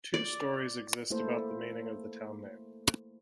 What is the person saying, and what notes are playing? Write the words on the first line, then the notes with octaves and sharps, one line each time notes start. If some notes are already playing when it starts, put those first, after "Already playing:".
Two stories exist about the meaning of the town name.
D5
A3 A#3 E4 A4 C5